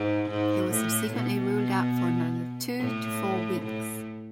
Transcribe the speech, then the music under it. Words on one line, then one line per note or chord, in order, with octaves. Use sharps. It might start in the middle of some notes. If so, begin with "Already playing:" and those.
He was subsequently ruled out for another two to four weeks.
Already playing: G#2
G#2
A2
B2
A2
A2